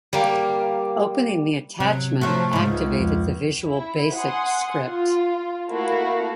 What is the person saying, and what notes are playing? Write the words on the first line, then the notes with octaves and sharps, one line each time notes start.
Opening the attachment activated the Visual Basic script.
G3 A#3
C3 F#3
F3 F#3 A3
G#2 C#3
C#2
F2
E4
F#5 G#5 C6 D#6
F4
A3 A#3 E4 F#4 F5